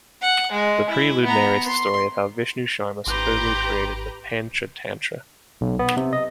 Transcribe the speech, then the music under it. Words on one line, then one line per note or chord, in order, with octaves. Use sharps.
The prelude narrates the story of how Vishnu Sharma supposedly created the "Panchatantra".
F#5
G#3
E4
B3 A#5
C6
G#1 G4 B4 A#5 C6 D6 G6 A#6
B1
B3
C3
D#5